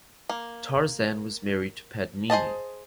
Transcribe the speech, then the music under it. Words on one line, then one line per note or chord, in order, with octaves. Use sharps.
Tarzan was married to Padmini.
A#3
G#4 C5 D#5 A5